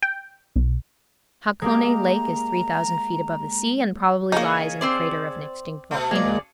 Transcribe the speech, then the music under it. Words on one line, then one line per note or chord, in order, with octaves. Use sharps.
Hakone Lake is three thousand feet above the sea, and probably lies in the crater of an extinct volcano.
G5
B1
G#3 A#3 G4 A#5
C#3 A#3 D#4 G#4 C#5
C4 C5 D5
B2 A3
B2 G#3 A#3 G#4 D5